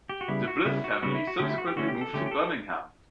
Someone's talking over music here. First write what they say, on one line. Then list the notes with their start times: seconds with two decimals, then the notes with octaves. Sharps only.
The Blyth family subsequently moved to Birmingham.
0.09 G4
0.21 F#4
0.28 C#3 G3 B3 E4
0.47 F#4
0.65 C#3 G3 B3 E4
0.84 F#4
1.02 C#3 G3 B3 F#4
1.15 E4
1.27 F#4
1.39 D3 A3 C#4 G4
1.49 E4
1.58 F#4
1.68 G4
1.76 D3 A3 C#4 F#4
1.88 G4
2.01 A4
2.14 D3 A3 C#4 G4
2.26 G4
2.31 A4